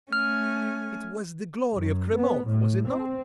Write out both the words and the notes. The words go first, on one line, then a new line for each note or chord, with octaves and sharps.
It was the glory of Cremona, was it not?
A3 C#4 G#5 F6
F#2
B3
A2
C4